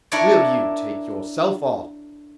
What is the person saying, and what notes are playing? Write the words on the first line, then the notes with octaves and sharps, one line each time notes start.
"Will you take yourself off!"
D4 E4 A4 A#4 C#5 D5